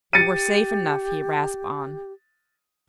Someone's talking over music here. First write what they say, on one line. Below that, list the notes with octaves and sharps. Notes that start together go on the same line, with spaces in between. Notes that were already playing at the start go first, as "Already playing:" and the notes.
"You were safe enough," he rasped on.
G4 A6 C#7 D#7